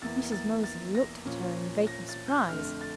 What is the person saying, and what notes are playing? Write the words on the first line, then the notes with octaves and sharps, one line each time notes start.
Mrs. Mosey looked at her in vacant surprise.
E2 E3 A#3 A6
A6
A6
A#6
A#2 F3 C#4 F4
A#6
A6
G6
F2 D3 A3 F6
A6